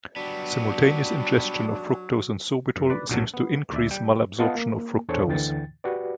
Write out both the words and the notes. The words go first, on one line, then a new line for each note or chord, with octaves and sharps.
Simultaneous ingestion of fructose and sorbitol seems to increase malabsorption of fructose.
F#3 G3 B3 D4
F#2
B4 D5
B1 G2 A#2 F#3 F#4 A4
B3
D2 D5 E5
G3 G5
B3 F4 D#5 F5 F#5 A5
A#3
E2 D4 G#4 A4 C5 C#5
D2 D3 E3 G5 A6
F#4 G4 B4 D5